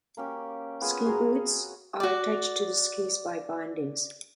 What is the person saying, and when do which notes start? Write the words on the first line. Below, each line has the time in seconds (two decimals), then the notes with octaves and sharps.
Ski boots are attached to the skis by bindings.
0.17 A#3 C#4 G4
0.81 B3 F4 G#4
1.06 F#4 G#4 A#5
2.00 F#4 D5